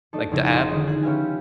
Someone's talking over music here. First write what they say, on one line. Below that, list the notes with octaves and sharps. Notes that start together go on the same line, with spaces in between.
like the app
A3 D4 D#4 A4
F1 C#3 E4 G#4 A#4 A#6
D#4 G#4 C5 D#5
D3 D#3 G#3 C#4 D#4
F#6 G#6 C7
C#4 G4 B4 E5 F5 G#5